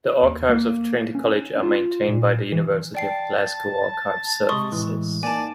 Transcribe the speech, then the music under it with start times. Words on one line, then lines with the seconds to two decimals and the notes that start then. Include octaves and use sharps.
The archives of Trinity College are maintained by the University of Glasgow Archives Services.
0.23 D#2
0.49 A#3
1.15 C#4
1.63 F4
2.08 A#2
2.52 E3
2.95 D5 G5 A5 C7
4.49 C3 G#3 C6 C#6 D#6
4.72 A2 E3 G#3
5.23 A#3 D#4 D5 G#5 A5